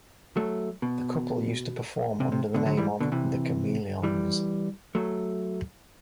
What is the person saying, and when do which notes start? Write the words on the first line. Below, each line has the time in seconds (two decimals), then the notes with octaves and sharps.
The couple used to perform under the name of The Cameleonz.
0.37 F#3 A3
0.82 B2
2.20 C3
2.32 C3
2.54 B2 D3
2.66 D3 F#3
2.77 E3 G3
3.00 B2 D3
3.12 C3 E3
4.03 E3 G3
4.95 F#3 A3